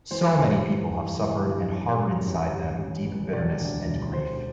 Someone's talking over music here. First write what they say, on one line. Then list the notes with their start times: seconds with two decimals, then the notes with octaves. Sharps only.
So many people have suffered and harbored inside them deep bitterness and grief.
0.11 E3 C5
0.39 G1
0.64 G1
0.91 E3
1.19 E3
1.45 G2
1.71 A1
1.99 A1
2.26 A1
2.52 G2
2.79 A1
3.06 A1
3.33 E1 D5
3.59 D2
3.86 E1
4.13 E1 C5